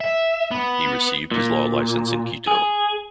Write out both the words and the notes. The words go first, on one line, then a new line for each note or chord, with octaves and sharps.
He received his law license in Quito.
E5
B3
A#2
G#4